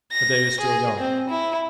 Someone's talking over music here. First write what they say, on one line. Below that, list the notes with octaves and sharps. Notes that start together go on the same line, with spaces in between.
The day is still young.
A#6
G#4
C4
E4